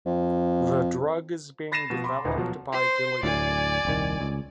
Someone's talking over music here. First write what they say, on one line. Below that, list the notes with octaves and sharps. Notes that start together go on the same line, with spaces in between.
The drug is being developed by Gilead.
F2
B5 A6 A#6 C7 D#7 E7
B2 F3
B5 C6 D6
D#1 D2 D#4
B2 F3 F#3
C5 C6
D1 D2 A2 D5 G#5
D#1 C2 D#3
C#2